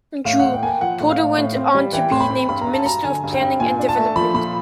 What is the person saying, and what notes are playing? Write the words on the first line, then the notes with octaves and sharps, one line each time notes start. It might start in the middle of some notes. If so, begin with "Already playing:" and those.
Drew, Porter went on to be named Minister of Planning and Development.
A2 F5
A2 F#5
G5
A#3 G5 G#5
F3 F#5
A2
F5
A2
A2
C4
G3
E3 G5
A2 C6
B5
C4
G2 B5
A#5
G2
A5
F#3 A#5
D3 G#5
G2
G5
G2
A#2 G#5
D4
A5
A3
F3 B5
A#2 B5